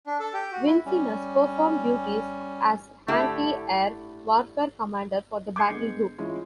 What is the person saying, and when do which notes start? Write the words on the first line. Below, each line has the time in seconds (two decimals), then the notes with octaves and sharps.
"Vincennes" performed duties as anti-air warfare commander for the battle group.
0.07 D4
0.20 A4
0.34 G4
0.52 F#4
0.66 E4
0.86 G3 C#4
3.08 A2 D3 A3 E4 G4
5.56 D6 G6 G#6 C7 C#7
5.70 D3 G#3 B3
6.18 E3 G#3 C#4 E4 F4